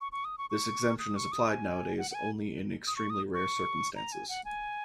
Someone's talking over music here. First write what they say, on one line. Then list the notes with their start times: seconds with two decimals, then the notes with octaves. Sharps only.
This exemption is applied nowadays, only in extremely rare circumstances.
0.01 C#6
0.12 C#6
0.25 D#6
0.38 C#6
0.50 C#6
0.99 D#6
1.16 C#6
1.32 D#6
1.49 G#5
1.98 F#5
2.11 F#5
2.14 G#5
2.87 D#6
2.96 C#6
3.10 D#6
3.34 C#6
3.96 A#5
4.12 G#5
4.29 F#5
4.45 G#5